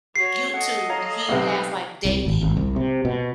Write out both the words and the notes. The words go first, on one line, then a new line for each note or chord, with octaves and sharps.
YouTube and he has, like, m
F#4 C#5 C7
A4 D#5 F#5
C#5 F5 A#5
B1 C3 B4 F5
C2
G#1
G#1
C2
C3
B2